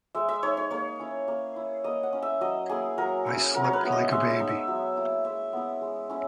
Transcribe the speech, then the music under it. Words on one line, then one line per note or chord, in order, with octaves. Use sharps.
I slept like a baby.
G#3 E5
E5
D#4 C#5
C#5
A#3 C#5
C#4 E4
A#3
E4
A#3 D#5
F#5
C#4 E4
E5
F#3 D#5
A#3 E4 G#4
F#3 A#4
C#4 E4
F#3 A#4
C#5
B4
B3 E4
D#5
G#3 E5
E5
D#4
E5
F#3
A#3 E4
G#3 E5
B3 E4
G#3
C#4 E4